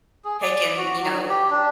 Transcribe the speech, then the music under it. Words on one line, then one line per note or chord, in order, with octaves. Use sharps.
taken, you know,
G#4
D5
F#4
F#3
G4
D4